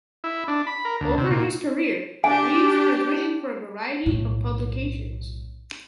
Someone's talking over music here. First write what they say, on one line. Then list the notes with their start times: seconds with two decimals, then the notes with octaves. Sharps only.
Over his career Rees has written for a variety of publications.
0.24 E4
0.48 D4
0.67 B5
0.85 A#4
1.01 D2
1.18 C3
1.31 A#2
2.24 D4 G4 G#5
4.06 B1 A2